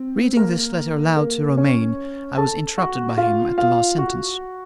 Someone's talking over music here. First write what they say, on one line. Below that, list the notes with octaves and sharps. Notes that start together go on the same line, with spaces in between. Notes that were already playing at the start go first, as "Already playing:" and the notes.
Reading this letter aloud to Romayne, I was interrupted by him at the last sentence.
Already playing: C4
A#3 A#4
A#3 A#4
C#4 C#5
A4 A5
F#4 F#5
F4 F5
F4 F5
F#4 F#5